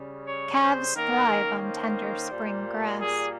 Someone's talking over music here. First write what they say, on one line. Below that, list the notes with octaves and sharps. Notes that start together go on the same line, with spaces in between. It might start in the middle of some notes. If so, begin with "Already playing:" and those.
Calves thrive on tender spring grass.
Already playing: C#3 G3 C#4
C#5
C5
D#3 A#3 C#4 A#4
C5
A#2 G3 A#3
G#4